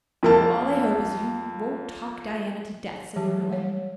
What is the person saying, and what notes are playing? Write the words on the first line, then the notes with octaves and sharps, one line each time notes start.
"Well, all I hope is you won't talk Diana to death," said Marilla.
F2 A#3 A5
E3 F#3 G4 A5
G3 G#3 C#5